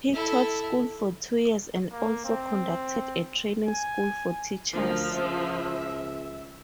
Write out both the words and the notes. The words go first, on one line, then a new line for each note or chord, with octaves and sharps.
He taught school for two years and also conducted a training school for teachers.
E4 A4
A#3
C4
G#5
D2 F3 A#4
C#2 E5